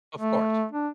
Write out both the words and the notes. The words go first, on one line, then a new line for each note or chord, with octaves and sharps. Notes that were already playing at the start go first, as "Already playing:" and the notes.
Of course.
A3
D4